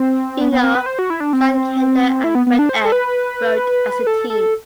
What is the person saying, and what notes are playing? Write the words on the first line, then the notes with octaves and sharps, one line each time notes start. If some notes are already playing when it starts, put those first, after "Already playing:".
You know, John Kander and Fred Ebb wrote as a team.
Already playing: C4
B3
B3
C4
B4
C5
F#4
E4
D4
C4
E4
B3
B3
D4
C5
A4
B4
A4
A4